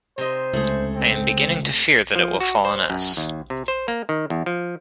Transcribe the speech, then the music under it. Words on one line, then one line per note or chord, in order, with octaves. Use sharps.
I am beginning to fear that it will fall on us.
C3 C5 D#5
C#2 A3 G#4
C4
F3
F#4
C5
F#2
D#2
C3
C5
A#3
D#3
E2
F3